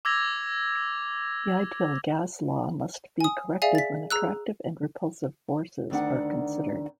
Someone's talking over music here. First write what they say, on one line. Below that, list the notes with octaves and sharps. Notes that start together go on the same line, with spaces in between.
The ideal gas law must be corrected when attractive and repulsive forces are considered.
D6 E6 G#6 A#6 F7
G#5 D#6
G#4 D5 E5 F5 G#5
A6 B6
G#4 A#5 E6 F#6
D2 D#3 D4 F#5